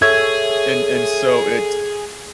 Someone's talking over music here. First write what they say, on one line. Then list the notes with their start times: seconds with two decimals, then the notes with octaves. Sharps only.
and and so it's
0.02 G#4 A4 C#5 E5 G#6